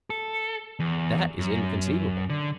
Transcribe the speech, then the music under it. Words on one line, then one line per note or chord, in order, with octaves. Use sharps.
That is inconceivable.
A4
E2
F#2
D3